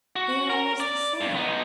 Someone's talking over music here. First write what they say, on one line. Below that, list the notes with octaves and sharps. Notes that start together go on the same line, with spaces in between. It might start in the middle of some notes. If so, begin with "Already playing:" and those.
"They are always the same."
F#4
A#4
D5
G2
B3 D#4